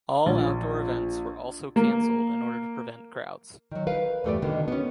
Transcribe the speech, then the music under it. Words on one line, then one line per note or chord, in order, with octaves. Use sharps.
All outdoor events were also cancelled in order to prevent crowds.
A#1
A#3
D#3 F#3
A#4 B4 F5
E2 G2 A3 G4 B4 D5
B2 D3 D#3 A#3 F#4
B3 C#4